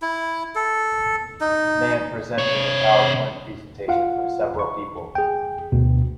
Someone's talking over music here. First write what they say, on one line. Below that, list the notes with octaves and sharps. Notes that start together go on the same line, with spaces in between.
Man presenting a powerpoint presentation for several people.
E4
A4
D#4
C3 C#5
F4 F5 F#5
C#6
G#4 G5
D2 B2